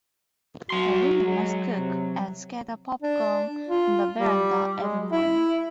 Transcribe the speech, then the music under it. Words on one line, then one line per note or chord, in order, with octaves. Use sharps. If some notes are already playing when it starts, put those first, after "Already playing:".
The woman must cook and scatter popcorn on the verandah every morning.
F#3 F#4 C6
G#3
C3
D4
F4
G3
G#3
E4